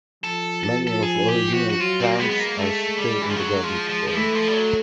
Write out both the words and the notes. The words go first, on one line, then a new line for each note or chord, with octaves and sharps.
Many of the original plants are still in the garden today.
F3 A4
A4
A4
G#4
G4
F#4
F#4
F#3 F4
C4
A#3
G#3 B3
B3
A#3
G#3 A3
G3
E3
F3
F#3
F3
F3
F3
E3 A3
F3
G3
F#3